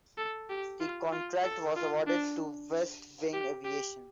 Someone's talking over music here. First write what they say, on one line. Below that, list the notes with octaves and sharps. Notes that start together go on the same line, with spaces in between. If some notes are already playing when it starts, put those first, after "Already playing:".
The contract was awarded to West Wing Aviation.
A4
G4
F4
F4
A4
F4
D4
G4
G4